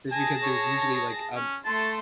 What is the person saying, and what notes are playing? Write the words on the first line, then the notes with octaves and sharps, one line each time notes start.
It's because there's usually, like, um
G#4 G#5 A5 A#6
C#5
C#4
A3 A5 C6